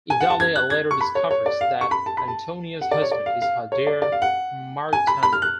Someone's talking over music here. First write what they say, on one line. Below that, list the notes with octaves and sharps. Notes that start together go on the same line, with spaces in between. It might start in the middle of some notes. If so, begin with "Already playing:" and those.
Idalia later discovers that Antonia's husband is her dear Myrtano.
G#5
F#5
A5
G#6
F#6
G#6
C#6
B5
C#5
C#5
D5
F5
C#6
B5
A5
B5
A5
F#5
D5
C#5
D5
F5
F5
C#5
D5
D5
F5
F#5
G#5
B5
B5
F6
F#6